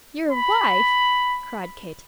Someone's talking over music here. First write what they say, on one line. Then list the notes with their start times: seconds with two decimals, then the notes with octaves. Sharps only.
"Your wife!" cried Kate.
0.31 B5